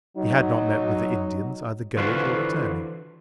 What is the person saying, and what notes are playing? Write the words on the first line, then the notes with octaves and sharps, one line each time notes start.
He had not met with the Indians, either going or returning.
F#3 D#4
D3 E3 F4 F#4 B4 C5